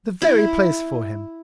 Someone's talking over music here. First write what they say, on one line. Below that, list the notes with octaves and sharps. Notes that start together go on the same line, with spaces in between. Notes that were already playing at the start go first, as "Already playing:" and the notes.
The very place for him.
E4